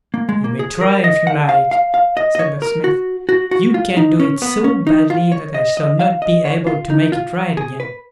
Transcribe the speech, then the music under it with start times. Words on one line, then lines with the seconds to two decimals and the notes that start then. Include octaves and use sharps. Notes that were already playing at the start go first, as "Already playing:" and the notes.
'You may try, if you like', said the Smith; 'you can't do it so badly that I shall not be able to make it right again.'
0.14 A#3
0.29 G#3
0.44 A#3
0.59 G#4
0.81 A#4
1.04 D#5
1.27 F#5
1.49 F5
1.71 F5
1.94 F5
2.17 D#5
2.35 D#5
2.39 C#5
2.62 A#4
2.84 F#4
3.29 F#4
3.51 F#4
3.74 F4
3.97 D#4
4.20 C#4
4.42 B3
4.64 C#4
4.87 D#4
5.10 F4
5.32 C#5
5.55 D#5
5.77 D#5
5.99 F5
6.22 D#5
6.45 C#5
6.67 F4
6.90 D#4
7.12 F4
7.57 G#4
7.80 B4